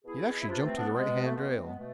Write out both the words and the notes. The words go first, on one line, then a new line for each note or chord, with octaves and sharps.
He'd actually jumped to the right-hand rail.
B2 E4 G#4
E4
C3 E3 D4 F4
A3 C4
B3 D4
B2 G#3 B3
A3
B2 G#3 B3
A3 C4
G#3 B3
B2 A3